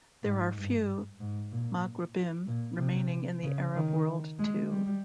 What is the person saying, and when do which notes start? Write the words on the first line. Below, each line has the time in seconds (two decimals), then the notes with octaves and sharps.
There are few Maghrebim remaining in the Arab world too.
0.23 G#2
0.56 G2
1.20 G#2
1.52 A#2
2.47 A#2
2.79 C3
3.43 C#3
3.75 D#3
4.39 G#3
4.71 G3